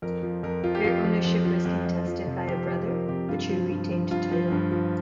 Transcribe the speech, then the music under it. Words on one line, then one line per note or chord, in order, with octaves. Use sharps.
Her ownership was contested by a brother, but she retained title.
F2 A#4
F3
F2 A#4
F3 F4
G4
F2 F4
F3
F2
F3
F2
F2
F3
C3
F2 G4
F2 G4
F3 A#4
C3 G4
G2 F4
F3
G2
F3
G2 F4
F3
G2
F3